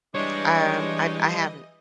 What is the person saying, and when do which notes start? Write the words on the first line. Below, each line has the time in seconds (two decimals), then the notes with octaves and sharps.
Um, I I haven't
0.15 E3 G3 G#3 D4 C#5 D#5